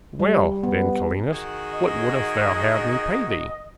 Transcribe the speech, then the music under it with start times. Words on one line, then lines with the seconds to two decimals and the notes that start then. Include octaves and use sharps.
'Well, then, Calenus, what wouldst thou have me pay thee?'
0.20 G3
0.63 B3
1.32 D#3 F#4 G#4
1.74 D#5